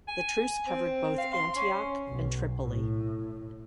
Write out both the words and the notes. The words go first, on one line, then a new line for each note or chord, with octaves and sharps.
The truce covered both Antioch and Tripoli.
G#5
C4
F5
C6
C#4
B1
A2